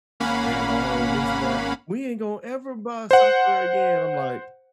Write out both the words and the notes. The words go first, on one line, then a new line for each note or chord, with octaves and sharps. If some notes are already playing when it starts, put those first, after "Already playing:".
and my whole niece is saying, "We ain't gonna ever buy supper again," I'm like
G#1 A#3 C#4 F5 F#5 B5
C5 F#5